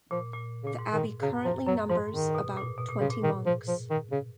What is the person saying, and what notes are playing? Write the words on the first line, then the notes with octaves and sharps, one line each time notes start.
The abbey currently numbers about twenty monks.
A#2 F3
A#2
A#2 C#3
G#2
D#3
F#2 C#3
F#2 F3
F#2 F#3
G#2 F3
D#3
B2
A#2
B2
A#2
G#2 C#3
A#2
D#3
F3
F3
D#3
C#3